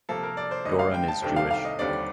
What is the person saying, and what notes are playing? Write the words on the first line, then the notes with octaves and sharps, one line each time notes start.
Doron is Jewish.
C3 F3 A#3 A4
A#4
D5
C5
D2 D3 G3 D#5
F5
G5
A5
C2 C3 D#3 A3 D4 G5
F5
F5
D#5
D#2 D3 G3 C4 D5